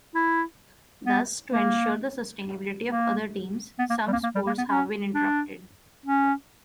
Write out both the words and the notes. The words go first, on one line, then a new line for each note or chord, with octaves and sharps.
Thus, to ensure the sustainability of other teams, some sports have been interrupted.
E4
B3
A#3
A#3
B3
A#3
G3
A#3
A#3
G3
A#3
B3
C#4
D4
C#4